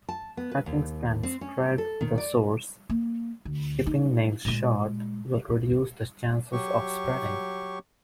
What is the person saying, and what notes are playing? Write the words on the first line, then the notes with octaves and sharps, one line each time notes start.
Scratching can spread the sores; keeping nails short will reduce the chances of spreading.
A5
B3
B4
D#2
C4
C#4
A4
D#3
D5
A#3
D2
D#4
A#2 G#3
F#3 G4 C#6